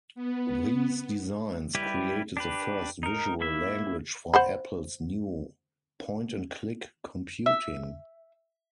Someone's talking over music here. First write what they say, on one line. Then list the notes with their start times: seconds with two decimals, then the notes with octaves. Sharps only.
These designs created the first visual language for Apple's new point-and-click computing.
0.15 B3
1.75 G3 E4 G4 B4
2.37 D4 G4 B4
3.03 D#4 A#4
3.41 A#3 E4 E5
4.34 C5 F#5 B5
7.46 E5